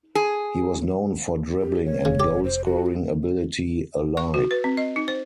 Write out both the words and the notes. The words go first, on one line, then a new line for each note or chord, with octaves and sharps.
He was known for dribbling and goal-scoring ability alike.
G#4
G4
C#5
F1 C#3
G4
C5
F#4
C#6
F#4
B4
C4
D#5
D#4
C5